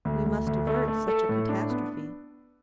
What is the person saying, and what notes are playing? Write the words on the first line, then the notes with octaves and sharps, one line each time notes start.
We must avert such a catastrophe.
D2
D2
D2
A3
A3
A4
A2
D4
B3